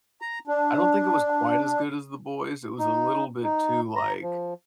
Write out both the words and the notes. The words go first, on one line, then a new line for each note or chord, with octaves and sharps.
I don't think it was quite as good as The Boys, it was a little bit too, like
A#5
D4
D#4
D#4
A#5
F3